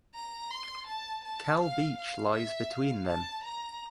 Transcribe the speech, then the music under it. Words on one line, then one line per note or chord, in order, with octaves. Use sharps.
Cal beach lies between them.
A#5
C6
A5
A5
F5
F5
E5
F5
A5
A#5